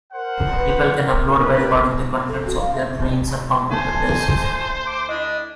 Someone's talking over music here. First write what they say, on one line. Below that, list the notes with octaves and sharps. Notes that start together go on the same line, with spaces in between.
People can "upload" by recording the contents of their brains on computer disks.
A#4 C5 F#5
B4
A#4
G4 B4
A4
F#4
F5
E5
D2 C5 G#5 A5
D6
D4 E4 D#5